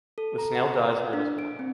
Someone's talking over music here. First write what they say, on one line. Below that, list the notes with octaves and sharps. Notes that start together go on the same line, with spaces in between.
The snail dies where it is born.
A4
A#5
F#5
B4
D4
D7
C4